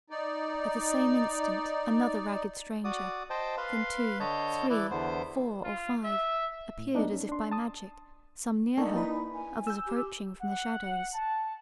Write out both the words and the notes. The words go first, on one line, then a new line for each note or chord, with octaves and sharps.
At the same instant another ragged stranger, then two, three, four, or five, appeared as if by magic, some near her, others approaching from the shadows.
D#4 D5
F#4 D5 D#6
C5 D#5 G5 A5
B4 F5 C6
D3 C#5 D#5 A5 G6
E3 E4 B4 D5
E2 D3 B3 C5
F4
E5
A2
A3 B3 D4 D#4
C#4
D4 C6
A5 D#6
A#3 D4 D#4 A4 G#5 C#6
A#3 E4 B4 B5
G#5
E6 G6
G4
F#5
A5